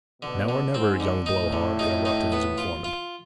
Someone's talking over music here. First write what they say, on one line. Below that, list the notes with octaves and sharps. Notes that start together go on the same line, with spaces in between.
'Now or never, young blow-hard,' interrupted his informant.
B2 D3
D3
G#2 C4
D3
A2 D#4
D3
D#4
D#4
B3
F4
F4